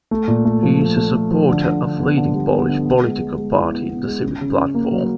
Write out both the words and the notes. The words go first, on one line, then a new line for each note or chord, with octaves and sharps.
He is a supporter of leading Polish political party, the Civic Platform.
A3
A#2
A3
F3
A3
A3
A3
F3
D3
D3
D3
B3
D3
G3
B3
D3
B3
G#3
G#3
G#3
E4
B3
B3
G#3
C#4
C#3
C#4
A#3
F#3